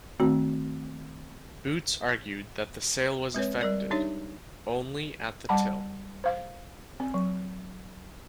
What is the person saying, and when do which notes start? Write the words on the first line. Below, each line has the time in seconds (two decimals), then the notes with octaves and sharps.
Boots argued that the sale was effected only at the till.
0.20 D#3 A3 C4 F#4
3.35 G#3 C4 B4 C#5
3.61 G3 A#4 D5
3.91 D4 D#4 G4 C#5 E5
5.49 G3 F#5 A5 B5
6.24 C5 F5
7.00 C4
7.14 F#3